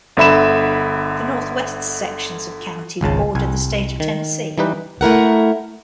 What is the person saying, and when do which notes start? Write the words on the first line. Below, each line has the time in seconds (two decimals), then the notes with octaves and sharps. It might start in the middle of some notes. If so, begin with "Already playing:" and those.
The northwest sections of county border the State of Tennessee.
0.17 G1 D3 E5 B5 E7
3.01 G#1 C#2 C#3 A5
3.35 C2 G#5
4.00 D#3
4.58 E3 G3 D#4 G4 B4
5.01 A3 E4 A#4 F#5